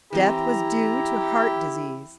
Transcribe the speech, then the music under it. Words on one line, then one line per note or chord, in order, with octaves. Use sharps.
Death was due to heart disease.
E3 C4 E4 G4 A#5